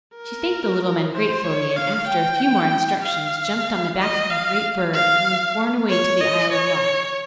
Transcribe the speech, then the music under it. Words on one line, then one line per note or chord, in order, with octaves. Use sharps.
She thanked the little men gratefully, and after a few more instructions, jumped on the back of her great bird, and was borne away to the isle of Lok.
A#4
C5
C#5
F5
G5
F5
D#5
F5
F5
C#5
D#5
C#5